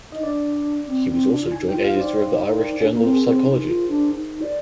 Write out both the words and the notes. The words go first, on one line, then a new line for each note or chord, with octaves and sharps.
He was also joint editor of the "Irish Journal of Psychology".
D#4 D#5
D4 D5
C4
C4
D4
F4
D#4 G#5
G5
F4
F5
D#4 C5
D5
C5
A#4
D4 G#4
A#3
A#4
C4
G#4
C4
C5
D#4
F4
D4
D#4
D5